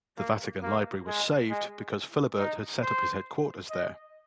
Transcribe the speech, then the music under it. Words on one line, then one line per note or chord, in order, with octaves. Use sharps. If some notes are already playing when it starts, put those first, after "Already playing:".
The Vatican Library was saved because Philibert had set up his headquarters there.
A#3
A#3
G#3
G#3
D#4
C5
D#5